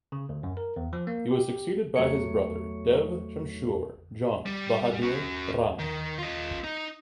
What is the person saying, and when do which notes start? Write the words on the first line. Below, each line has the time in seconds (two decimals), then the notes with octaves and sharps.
He was succeeded by his brother Dev Shumsher Jung Bahadur Rana.
0.12 C#3
0.29 D2
0.43 F#2
0.57 A#4
0.76 E2
0.93 F3
1.07 A#3
1.31 G4
1.96 E2 F#3 A3 C#5 C#6 C#7
4.46 G3
5.02 C#4 F#4
5.79 D#3
6.18 F4 D#5
6.64 D#4